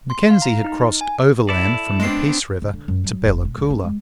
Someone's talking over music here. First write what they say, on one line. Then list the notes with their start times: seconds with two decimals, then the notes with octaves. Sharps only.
Mackenzie had crossed overland from the Peace river to Bella Coola.
0.10 C6
0.30 F5
0.42 A#5
0.64 D#4
1.01 G#5
1.49 E4 A4 D5
2.00 G#3 B3 C4 D4 C7
2.62 C#3
2.73 D3
2.88 F#2
3.04 F#3
3.25 F1
3.45 B2
3.58 C#2
3.70 C#4
3.84 G#3